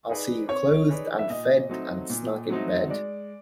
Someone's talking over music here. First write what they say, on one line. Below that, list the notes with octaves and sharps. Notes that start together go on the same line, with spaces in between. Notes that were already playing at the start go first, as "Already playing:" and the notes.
I’ll see you clothed and fed and snug in bed.
D#4 G#4 B4 D5
C4 C#5
D#4 G#4 B4 D5
E5
A#2 D#5
F#3 A3 C4 D#4
A#2
F#3 A3 C4 D#4
G#3 D5